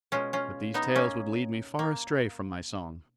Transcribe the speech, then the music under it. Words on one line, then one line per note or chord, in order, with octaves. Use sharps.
But these tales would lead me far astray from my song.
B2 G#3 C#4 F4
C#4 F4
B3 D#4
A#3 C#4
A#3